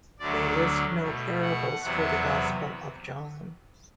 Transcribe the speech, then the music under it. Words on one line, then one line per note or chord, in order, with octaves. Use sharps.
They list no parables for the Gospel of John.
D2 D3 F#3 A3 D5
B2 A3
F#5
E2 C3 F#3 B3 F#5